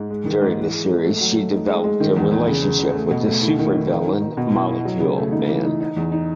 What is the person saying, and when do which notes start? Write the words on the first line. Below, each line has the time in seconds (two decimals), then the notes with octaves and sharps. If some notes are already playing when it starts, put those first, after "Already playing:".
During the series, she developed a relationship with the supervillain Molecule Man.
Already playing: G#2
0.10 G#3
0.25 D#3
0.41 G#2
0.58 E3
0.73 G#3
0.89 G#3
1.05 A3
1.21 F#3
1.36 A3
1.53 D#4
1.68 G#3
1.84 G#3
2.00 D#3
2.16 E2
2.31 E2
2.48 C#3
2.63 C#3
2.79 C#3
2.95 A3
3.11 B2
3.27 A3
3.42 E4
3.59 D#3
3.75 D#3
3.89 D#4
4.06 D#4
4.22 D#4
4.37 B2
4.54 E4
4.69 E4
4.85 F#3
5.01 C#3
5.17 A3
5.32 D#4
5.49 E3
5.64 D#4
5.80 D#4
5.96 E2
6.12 D#4